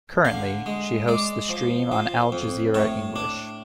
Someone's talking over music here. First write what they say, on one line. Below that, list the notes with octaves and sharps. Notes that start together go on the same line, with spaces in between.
Currently, she hosts The Stream on Al Jazeera English.
D3 F5
G#3
G#3 D5
F3
F3
F2
A2 C#5
D4